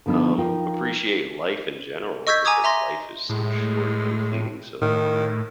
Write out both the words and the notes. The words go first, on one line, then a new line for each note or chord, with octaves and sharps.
um appreciate life in general because life is so short and fleeting, so
D3 F3 B3 D#4 F4
F3 D#4 F4 A#4 G5
D#5 C#6 E6 G6 G#6 B6
G#5 A#5 D6 D#6 G#6
E5 A#5 C6 A#6
A2 G#3
A2 D#3